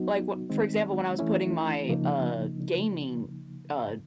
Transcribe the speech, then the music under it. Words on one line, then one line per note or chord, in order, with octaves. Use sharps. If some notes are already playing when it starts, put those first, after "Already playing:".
like wh for example, when I was putting my, uh, gaming, uh,
Already playing: F#3 B3 D#4 F#4
D#3 G#3 C4 D#4
E3 A3 C#4 E4
C#3 F3 A#3 D#4